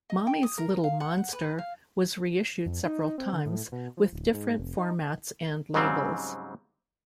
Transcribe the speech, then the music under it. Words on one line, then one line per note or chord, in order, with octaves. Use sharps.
"Mommy's Little Monster" was reissued several times, with different formats and labels.
D#5
G5
D#6
A#4
F5
F#5
B4
F5
F2
D#4
C4
D3
A2
B2
F3
D1
G#2
F1
D#4
G#2 C#3 F#3 G3 C4